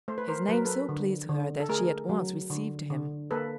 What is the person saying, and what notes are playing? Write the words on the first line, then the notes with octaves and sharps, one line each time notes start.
His name so pleased her that she at once received him.
A3 C5
B4
A#4 C5
F#3 B4
A#4
A4 B4
D3
D3
A4
A3 G#4 A#4
F#3
D3
D3
A#3 A4 B4